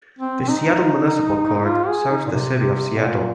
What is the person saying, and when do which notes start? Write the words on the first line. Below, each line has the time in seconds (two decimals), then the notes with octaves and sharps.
The Seattle Municipal Court serves the City of Seattle.
0.19 C4
0.41 C4
0.48 D#4
1.59 D#4
1.65 F4
1.88 G#4
2.10 D#4
2.26 A#2
2.31 C3
2.54 C3
2.98 A#2